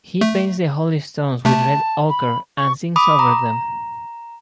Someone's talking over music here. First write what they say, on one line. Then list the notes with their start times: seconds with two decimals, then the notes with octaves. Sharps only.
He paints the holy stones with red ochre and sings over them.
0.21 A3
1.45 C3 A3 A5
2.09 B5
2.57 C#6
2.96 B5 D6 D#6
3.19 A#5